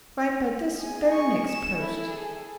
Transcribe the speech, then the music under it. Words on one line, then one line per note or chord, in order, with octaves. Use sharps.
Write by this very next post.
G#4 G#5
C#6
E7
E4 A4
G#4